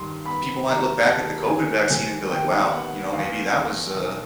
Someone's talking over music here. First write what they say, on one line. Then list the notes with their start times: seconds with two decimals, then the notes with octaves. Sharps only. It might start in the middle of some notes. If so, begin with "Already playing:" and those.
people might look back at the COVID vaccine and be like, "wow," you know, maybe that was, uh,
Already playing: G2 D#3 C6
0.26 B3 B5
0.66 D#2 A#5
1.08 D#2 A5
1.48 D#2 G#5
1.90 D#2 G#5
2.31 D#2 G5
2.72 B3 F#5
3.13 E2 F5
3.53 E2
3.94 B1